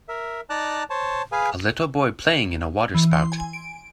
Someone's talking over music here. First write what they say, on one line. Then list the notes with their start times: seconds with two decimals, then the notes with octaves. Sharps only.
A little boy playing in a water spout.
0.09 A#4 E5
0.50 D#4 D5 A5 A#5 F#6
0.90 C5 C#5 A5
1.32 G#4 B4 F5 G#5
2.94 E3
3.13 C6
3.32 G#5
3.53 D7